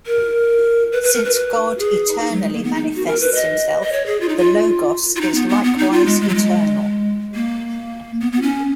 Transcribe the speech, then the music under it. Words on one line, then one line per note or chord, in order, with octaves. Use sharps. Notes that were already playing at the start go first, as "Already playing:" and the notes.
Since God eternally manifests himself, the Logos is likewise eternal.
A#4
B4
B4
A#4
B4
B4
G#4
D#4
F#3
G#3
A#3
B3
D#4
F#4
A#4
B4
D#5
D#5
C#5
G#4
F4
D#4
F4
F4
D#4
B3
B3
B3
D#4
F4
G#3
G#3
F#3
G#3
A#3
B3
B3
C#4